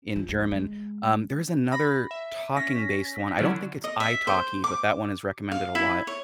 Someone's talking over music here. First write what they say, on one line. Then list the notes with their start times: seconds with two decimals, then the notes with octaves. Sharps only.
in German, um, there is another talking-based one, I don't think it's Italki, but that one is recommended a lot.
0.16 F3
0.28 D2
0.51 G#3
1.72 B5 A#6
2.11 E5
2.56 C#4 A#6 B6
3.38 D3 F#3 C#4 D4 E4
3.84 D#5
4.00 E5
4.27 C5
4.64 D6
5.52 F5
5.75 E4
6.07 C#5